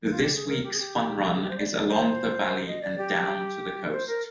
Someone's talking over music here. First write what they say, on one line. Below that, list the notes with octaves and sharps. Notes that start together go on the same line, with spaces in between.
This week's fun run is along the valley and down to the coast.
F4
G4
G#4
A#4
G4
G#4
G4
G#4
G4
C5
D5
D5
C5
D#5
D5
G4
C5
A#4